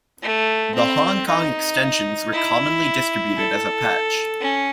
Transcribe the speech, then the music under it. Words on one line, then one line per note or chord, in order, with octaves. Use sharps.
The Hong Kong extensions were commonly distributed as a patch.
A3
C4
D#4
E4
A4
C#4